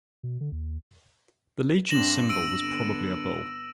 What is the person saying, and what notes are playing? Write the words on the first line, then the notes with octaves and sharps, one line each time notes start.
The legion's symbol was probably a bull.
B2
D3
D#2
G2 C4 D4 A#6 E7 F#7
E6 D7 D#7
D3 B3